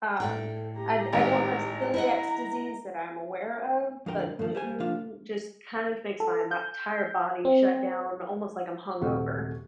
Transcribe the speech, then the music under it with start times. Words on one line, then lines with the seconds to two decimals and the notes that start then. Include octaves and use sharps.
Um, I d I don't have celiacs disease that I'm aware of, but gluten just kind of makes my bo 'tire body shut down almost like I'm hungover.
0.20 A2 A4 D5 G5
0.75 G4 A#5
1.13 G#1
1.94 E4 D#5 F#5 A#5
4.06 F2 A2 D3 A#4 G5
4.39 G2 D#3 F3
4.55 G3 C5 G#5
4.80 C2 F3 D4 F4 F5
6.20 A4
6.51 G6
7.45 C4
9.01 D#1 C3 A3 F#4 C#6